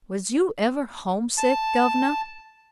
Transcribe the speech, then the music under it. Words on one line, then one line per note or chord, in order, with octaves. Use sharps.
Was you ever homesick, governor?'
A5